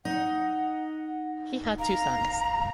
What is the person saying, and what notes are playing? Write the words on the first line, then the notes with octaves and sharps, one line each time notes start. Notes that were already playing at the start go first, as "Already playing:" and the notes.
He had two sons.
D#4 F#5
F5 A#5